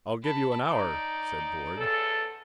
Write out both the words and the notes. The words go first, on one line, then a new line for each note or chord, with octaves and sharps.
"I'll give you an hour," said Borg.
A5 B5
D#4 D5
E2 C#3 A4